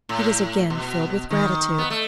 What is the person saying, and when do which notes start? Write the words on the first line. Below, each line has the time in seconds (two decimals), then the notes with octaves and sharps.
He was again filled with gratitude.
0.09 A2
0.70 B2
1.30 D#3
1.78 B3
1.90 A3